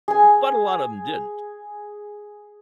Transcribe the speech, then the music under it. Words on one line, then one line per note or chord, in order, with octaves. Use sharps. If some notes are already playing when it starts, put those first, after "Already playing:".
but a lot of 'em didn't,
G#4 G#5